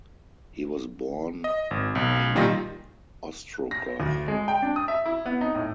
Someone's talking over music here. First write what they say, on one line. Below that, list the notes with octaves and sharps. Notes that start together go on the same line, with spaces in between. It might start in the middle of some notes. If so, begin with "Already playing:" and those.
He was born an Ostrogoth.
D#5
G#1
B1
A#2 D#3 G3 D#4 F4 A#6
A#6
D2
G#3
G5
D4
D#6
E5
E4
B3
D#4
A2